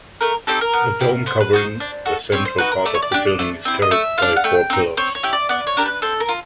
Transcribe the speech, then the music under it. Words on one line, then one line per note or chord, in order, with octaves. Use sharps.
The dome covering the central part of the building is carried by four pillars.
A3 A#4
C4 D#4 G4 A4
A#4
B3
E4 G4
B3 C5
B4
D#4 F#4 C5
D4
F#4 A4
C4 C#5
C5
D#4 F#4 B4
A#4
A3 D5
C#5
D5
D4 G4
A3
C4 E4
D#5
A3 E5
D4 F4 F5
F#5
A3 G5
C4 D#4
C4 C#5
C#5
E4 G4
D5
B3 D5
C#5
D4 G4 A#4
B4
C4 A4
A#4
F4